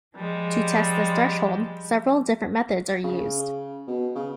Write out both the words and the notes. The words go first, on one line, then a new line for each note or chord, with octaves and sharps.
To test this threshold, several different methods are used.
F3 G3 G#3
C#3
B2
C#3